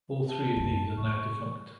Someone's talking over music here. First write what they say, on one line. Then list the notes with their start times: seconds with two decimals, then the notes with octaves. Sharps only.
All three of these are now defunct.
0.29 A5
0.56 F#2 E4
0.97 A2 C#6